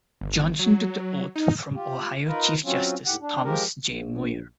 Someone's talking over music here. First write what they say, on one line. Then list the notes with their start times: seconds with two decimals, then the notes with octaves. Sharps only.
Johnson took the oath from Ohio Chief Justice Thomas J. Moyer.
0.21 G1
0.59 F#3
1.36 D#4
1.75 F4 G4
2.27 D#4 F4 A#4 B4
2.65 F#3 C4 C#4 F4
3.06 D#2 A2 G4 F#5
3.21 D4
3.45 F3 G#3 G4 A#4
3.89 A#1